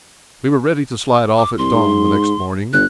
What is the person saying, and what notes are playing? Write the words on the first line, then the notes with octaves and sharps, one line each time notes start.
We were ready to slide off at dawn the next morning.
D6
C2 C6
G#2
G1 F#6